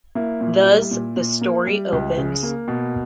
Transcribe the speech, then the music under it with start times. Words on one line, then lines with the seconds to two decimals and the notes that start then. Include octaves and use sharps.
Thus, the story opens.
0.15 A#3 E4
0.41 A#2
0.66 G3
0.91 A#2
1.16 A#2
1.41 A#3
1.67 G3
1.92 C#2
2.17 C#3
2.43 A#3
2.68 B2